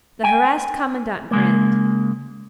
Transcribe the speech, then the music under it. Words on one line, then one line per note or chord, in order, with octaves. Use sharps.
The harassed commandant grinned.
G5 G#5
C#3 G#3 A#3